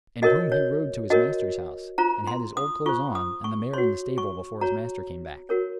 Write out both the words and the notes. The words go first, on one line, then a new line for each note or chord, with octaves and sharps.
And home he rode, to his master's house, and had his old clothes on and the mare in the stable before his master came back.
F#4 A#4 C#5 D#5
C#5
F#4 A#4 C#5 D#5
F4 C5 A#5
C6
D#6
F4 C5 C#6
D#6
C#6
F#4 C#5 C6
C#6
F#4 C#5 A#5
F#4 A#4 C#5